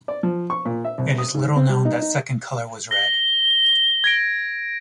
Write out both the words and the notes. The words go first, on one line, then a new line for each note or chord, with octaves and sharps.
It is little known that second color was red.
D5
F3
C#6
A#2
E5
C2
D#6
G#2
C4
G3
D#4
D#4
A#6 G7
G#6 A#6 D7